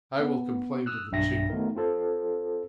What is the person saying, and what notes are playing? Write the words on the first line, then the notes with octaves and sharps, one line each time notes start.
I will complain to the Chief.
B3
D#6 E6 F#6
B1 G2 D4 E5 G5 A#6
D#3 A3 B3 D#4 A#4
C4 F4 A4 C5